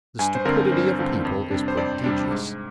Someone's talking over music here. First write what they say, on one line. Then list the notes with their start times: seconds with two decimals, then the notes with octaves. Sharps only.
The stupidity of people is prodigious.
0.19 G2 G#5
0.35 C5
0.45 D3 F3 C4 F4 A#4
0.72 G2 C5
0.99 D3 F3 C4 F4
1.25 F2
1.51 C3 G3 D4
1.68 C5
1.77 F2 D5
2.04 C3 G3 D4
2.31 G#2